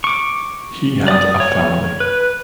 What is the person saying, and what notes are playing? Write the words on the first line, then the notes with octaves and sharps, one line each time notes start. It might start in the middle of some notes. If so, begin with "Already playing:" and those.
He had a family.
C#6 D6
D5 D#6
C#5
B4